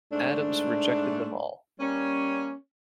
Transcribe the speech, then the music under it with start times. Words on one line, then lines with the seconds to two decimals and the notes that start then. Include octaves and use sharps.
Adams rejected them all.
0.12 G#2 A3 D4
1.80 G3 A#3 C#4